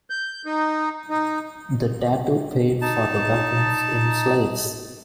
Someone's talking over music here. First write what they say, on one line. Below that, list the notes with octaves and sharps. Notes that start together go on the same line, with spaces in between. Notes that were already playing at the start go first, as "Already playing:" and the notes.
The Datu paid for the weapons in slaves.
G6
D#4
D#4
D#4 A5